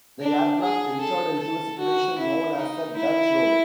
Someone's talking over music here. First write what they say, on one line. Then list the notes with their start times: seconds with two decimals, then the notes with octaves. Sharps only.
The aircraft entered into a situation known as a Dutch Roll.
0.21 D4
0.61 G#4
1.01 A4
1.39 A4
1.79 F#4
2.18 E4
2.57 D#4
2.96 E4